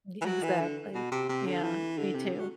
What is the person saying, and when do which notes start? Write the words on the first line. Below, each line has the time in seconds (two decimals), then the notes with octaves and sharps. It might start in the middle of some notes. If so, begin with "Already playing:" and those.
Ye Exactly, yeah, me too.
0.21 E3
0.25 F#3
0.43 E3
0.60 D3
0.94 B2
1.12 C3
1.29 C3
1.46 D3
1.63 E3
1.97 D3
2.14 C3
2.32 D3
2.39 F#3